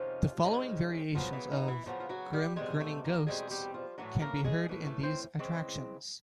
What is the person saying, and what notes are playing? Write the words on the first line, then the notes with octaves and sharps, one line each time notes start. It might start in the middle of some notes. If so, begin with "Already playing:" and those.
The following variations of "Grim Grinning Ghosts" can be heard in these attractions.
Already playing: F2 C3 D#3 F3 G#3 C#4 F4
F2 C3 D#3 G#3 C#4
C#3 F3 F#3 B3 F4
E3 E4
D#3 D#4
E3 E4
C#3 F3 F#3 B3 F4
F4
F#3 F#4
G3 G4
E2 B2 G3 G#3 C4 G#4
A3 A4
A#3 A#4
E2 B2 G3 G#3 C4 G#4
G3 G4
F3 F4
A2 E3 F#3 A3 C#4 F#4
A#3 A#4
G#3 G#4
A2 E3 A3 C#4
A3 A4
C4 C5
C#3 E3 G#3 C4